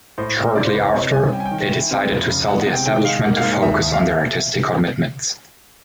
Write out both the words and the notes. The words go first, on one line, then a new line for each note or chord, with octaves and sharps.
Shortly after, they decided to sell the establishment to focus on their artistic commitments.
A2 C5
A2
C#3 D5
C5
F#1 B4
C#5
C3 D#5
C2 G#5
C#4 G5
G#5
G5
D#3
G5
E4
C4
F1
C#3
G#3 F#5
F#5
C3
G5
D#3 G5
G#3 F5
A#3 F#5
F5
G#2
D#2 E5
D#2
F5
E5